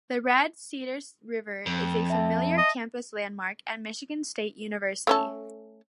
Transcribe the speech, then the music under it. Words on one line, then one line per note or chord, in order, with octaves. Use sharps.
The Red Cedar River is a familiar campus landmark at Michigan State University.
F2
E5 A5
D#5
A3 C#4 A4